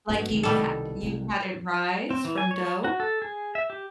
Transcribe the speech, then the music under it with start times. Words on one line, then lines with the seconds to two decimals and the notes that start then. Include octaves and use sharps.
Like, you've ha you've had it rise from dough?
0.09 G2 B2 A3
0.30 C2 D#3
0.43 B2 G3 A4
1.03 C2
2.10 C4
2.25 E3
2.38 G#5
2.51 C#5
2.84 F#4
3.00 A4
3.22 G#4
3.55 E5
3.70 G4